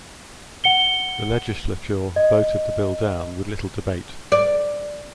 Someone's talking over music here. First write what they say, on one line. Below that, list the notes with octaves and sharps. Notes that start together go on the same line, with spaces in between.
The legislature voted the bill down with little debate.
F#5 C#7 G7
D#5
D5